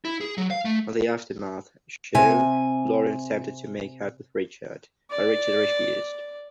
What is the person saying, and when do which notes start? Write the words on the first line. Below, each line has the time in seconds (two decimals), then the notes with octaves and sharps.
On the aftermath show, Lauren attempted to make out with Richard, but Richard refused.
0.05 E4
0.21 G#4
0.38 F#3
0.50 F5
0.65 A3
2.15 C3 G#5
5.11 D5